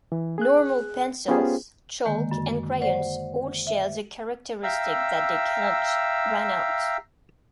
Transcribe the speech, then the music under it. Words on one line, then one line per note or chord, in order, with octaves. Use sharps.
Normal pencils, chalk, and crayons all share the characteristic that they cannot "run out".
E3
G#4 F#6
B3 C#4 F4 G4 G#4 C5
D3 D#3 G#3 A#3
F#2
C5 D5 F#5
E5
E5 F5 G5 A#5 E6